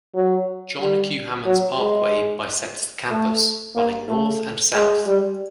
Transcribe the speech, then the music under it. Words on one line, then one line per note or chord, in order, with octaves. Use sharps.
John Q. Hammons Parkway bisects the campus, running north and south.
F#3
G3
F#3
G#3
A3
A#3
A3
G#3
G3